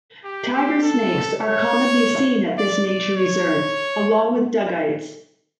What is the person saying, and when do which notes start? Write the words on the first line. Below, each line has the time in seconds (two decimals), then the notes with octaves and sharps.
Tiger Snakes are commonly seen at this nature reserve along with Dugites.
0.24 G4
0.54 G4
0.83 A4
1.41 C#5
2.58 D5
2.87 D5
3.17 C#5